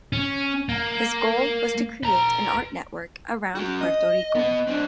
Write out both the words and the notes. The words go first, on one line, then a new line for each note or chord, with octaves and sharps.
His goal was to create an art network around Puerto Rico.
C#4
A#3
B4 A#5
C#4 F#4
D#5
B3 D#5
C4 D4